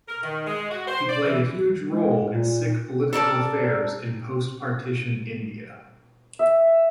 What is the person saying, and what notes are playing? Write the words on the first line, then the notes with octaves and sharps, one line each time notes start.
He played a huge role in Sikh political affairs in post partition India.
A#4
D#3
G#3
F#4
C5
D5
E3
G#3
A#2
A4 A#4 D5 A5
E5